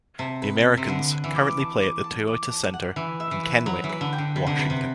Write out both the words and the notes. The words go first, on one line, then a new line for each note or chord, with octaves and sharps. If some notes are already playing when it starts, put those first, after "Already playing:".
The Americans currently play at the Toyota Center in Kennewick, Washington.
C3 A5
B4
B4
C3
D3 B4
F#5
E3
D6
A5
D6
A5
D6
A5
F#5
E3 B4
E5
E3
B4
F#3 B4
E3
B4
D3
G5
D3
C3 B4
D3
C3 B4
C3